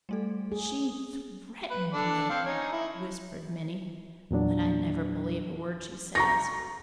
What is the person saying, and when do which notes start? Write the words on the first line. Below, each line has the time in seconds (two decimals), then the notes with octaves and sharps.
"She THREATENED me," whispered Minnie, "but I never believe a word she says."
0.09 G3 A3 A4
0.52 G#4
1.70 B4
1.93 D4 A4 D5
2.29 C4 F5
2.46 C#4 D#4 C#5
2.72 E4
4.31 E2 A#2 F#3 D4
6.15 A#5 C#6 A#6